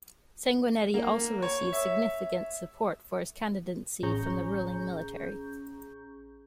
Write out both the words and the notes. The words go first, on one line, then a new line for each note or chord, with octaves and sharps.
Sanguinetti also received significant support for his candidacy from the ruling military.
A#3
C#5
E5
A1 C#4 G#4 A#5 C#6 G6